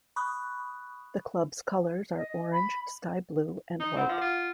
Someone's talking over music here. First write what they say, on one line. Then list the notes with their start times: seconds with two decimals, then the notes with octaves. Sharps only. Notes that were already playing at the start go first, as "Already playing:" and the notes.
The club's colors are orange, sky blue and white.
0.16 B5 C#6 D#6 F#6
2.16 D#5
2.52 B5
3.80 D#4
3.97 C4 D#5 F#5 B5
4.09 F3 F5 D6
4.22 F4